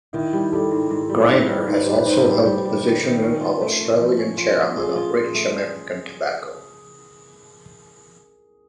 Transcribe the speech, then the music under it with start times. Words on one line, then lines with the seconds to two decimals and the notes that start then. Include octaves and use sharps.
Greiner has also held the position of Australian chairman of British American Tobacco.
0.13 D#3 E4
0.33 G3
0.52 G3 A4
0.71 G#2
0.90 G#2
1.09 G3
1.29 G#2
1.48 G3
1.67 G#2 B4
1.81 C5
1.87 G3
1.93 B4
2.06 G#2 C5
2.19 B4
2.25 G3
2.31 C5
2.44 G3 B4
2.65 G3
2.83 D#3
3.03 D#3
3.22 C#4 A#4
3.41 F4
3.61 A3
3.81 C#4
3.99 F3
4.18 C#4
4.37 F4
4.57 F3
4.77 F4 G#4
4.96 F4
5.15 F4
5.35 A3